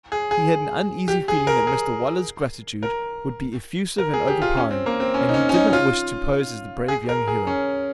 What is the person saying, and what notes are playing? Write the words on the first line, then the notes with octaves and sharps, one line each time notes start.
He had an uneasy feeling that Mr Waller's gratitude would be effusive and overpowering, and he did not wish to pose as the brave young hero.
G#4
G#4
G4
G#4
A#4
G#4
A#4
A#4
G#4
G4
F4
C#4
C4
A#3
C4
C#4
D#4
C#4
C#4
D#4
D#4
F4
G#4
A#4
G#4
C#4